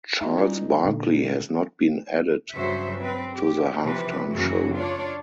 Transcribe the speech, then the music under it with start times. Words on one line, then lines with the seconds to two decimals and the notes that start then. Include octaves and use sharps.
Charles Barkley has not been added to the halftime show.
0.21 A3 D#4 E4 F#4
0.37 G3 C#4 F4
0.85 A#2 D3
2.54 G2 C#3 F#3 F#4 C5 E5
3.01 C4 B4
3.34 G4
3.83 C3 E3 F3 B4
4.31 F#2 C#3 E3 A3 A#3 F#4
4.73 D4 F4 C#5 D5